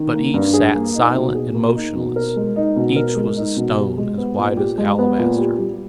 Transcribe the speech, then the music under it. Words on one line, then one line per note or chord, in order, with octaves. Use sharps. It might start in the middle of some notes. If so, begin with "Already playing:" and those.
But each sat silent and motionless--each was a stone as white as alabaster.
Already playing: D#3
A#3
G2
G#4
A#3
D#4
B2
G#4
A#3
D#4
B2
A#4
G#3
D#4
B2
A#4
G#3
D#4
B2
G4
G#3
B3
A#2
G4
G#3
B3
A#2
G4
G3